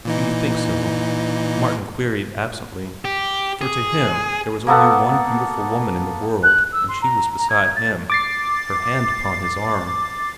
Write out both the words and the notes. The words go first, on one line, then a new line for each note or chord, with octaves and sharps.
"Do you think so?" Martin queried absently, for to him there was only one beautiful woman in the world, and she was beside him, her hand upon his arm.
A#2 E3 D#4
G4
G#4
A#3 B3 A4 F#5
F#6
E6
C6
A#5
A#5
G#6
A6
D6 A6 C7